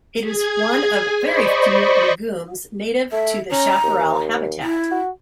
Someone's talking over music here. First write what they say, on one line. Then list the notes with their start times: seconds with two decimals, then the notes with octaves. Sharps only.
It is one of very few legumes native to the chaparral habitat.
0.20 G#4 G#5
1.20 C5 D5 D#5 B5 C#6
3.12 A3 E5
3.51 C#4 A#5
3.83 D#2
4.62 E4
4.91 F#4